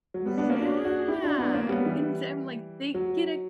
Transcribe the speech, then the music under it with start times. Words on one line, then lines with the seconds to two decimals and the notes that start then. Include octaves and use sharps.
yeah, and I'm, like, they get a
0.14 F#3
0.26 G3 B3
0.37 B3 D4
0.50 A#3 C#4
0.61 D4 F#4
0.85 D4 F#4
1.08 E4 G4
1.24 D4 F#4
1.38 B3 D4
1.54 A#3 C#4
1.69 G3 B3
1.85 E3 G3
2.94 F#3